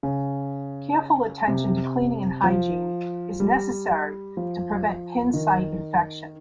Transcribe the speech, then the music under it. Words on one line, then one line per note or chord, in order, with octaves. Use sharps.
Careful attention to cleaning and hygiene is necessary to prevent pin site infection.
C#3
C3
F3
G3
F3
D#3